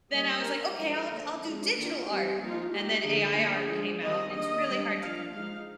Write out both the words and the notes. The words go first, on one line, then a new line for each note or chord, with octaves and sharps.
then I was like, "Okay, I'll d I'll do digital art!" And then AI art came out, and it's really hard to compete in that
G3 A#3 D#4 D#5
G3 D4 A#4
F3 G#3 D4 A#4
D3 F3 A#3 D4
F3 G#3 D4
D#3 A#3 D4 F4
G3 C4 D#4 G4
F3 A#3 D#4 F4
G3 A#3 D#4 G4
D3 F3 A#3 D#4 G#4
F3 A#3 D4 G#4
F3 G#3 D4
D#3 G3 C4 D#4 D#5
D#3 A#3 D4 D#5
G3 D4
F3 A#3 D4 F5
F3 G#3 D#4 F5